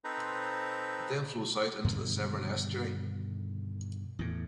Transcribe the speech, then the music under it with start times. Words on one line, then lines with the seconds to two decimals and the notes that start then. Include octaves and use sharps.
It then flows out into the Severn Estuary.
0.04 C4 D#4 A4 B4 C5 A#5
1.84 G2 B2 D3 D#3
4.19 E2 A2